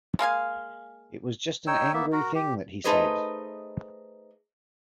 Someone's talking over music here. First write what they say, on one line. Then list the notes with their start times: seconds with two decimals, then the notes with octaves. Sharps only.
It was just an angry thing that he said.
0.19 G#3 A#3 F5 G#5
1.67 D#4 C#5 G5 E6
1.94 A#3 B3 E5
2.12 F#4 A#4
2.35 G4
2.84 A3 D#4 G#4 B4 C5 D#5